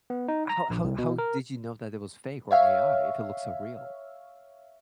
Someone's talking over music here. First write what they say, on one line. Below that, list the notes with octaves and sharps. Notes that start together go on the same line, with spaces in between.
how how how did you know that it was fake or AI if it looks so real?
B3
D#4
A#5
A#1
C2
B2
A#4
C#5 E5 F5